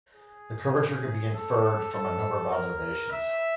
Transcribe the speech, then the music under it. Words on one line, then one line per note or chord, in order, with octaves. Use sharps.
The curvature can be inferred from a number of observations.
G#4
A4
A4
A#4
E5